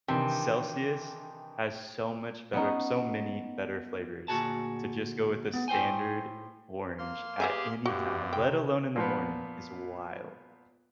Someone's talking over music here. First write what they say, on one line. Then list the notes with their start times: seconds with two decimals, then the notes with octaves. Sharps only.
Celsius has so much better so many better flavors. To just go with the standard orange at any time, let alone in the morning, is wild.
0.08 C3 D#3 E3 D4 G5
2.53 B3 C#4 D#4
4.28 D2 A#2 C#3 F#4 G#4 A5
5.53 B3
5.68 A2 C5 G5 G#5
6.99 A#3 C6 F6
7.40 G4 G#4 B4 E5 G#5
7.86 F#2 A#3 B3 F#4 G4 D5
8.33 C3 G5
8.96 A#2 F3 B3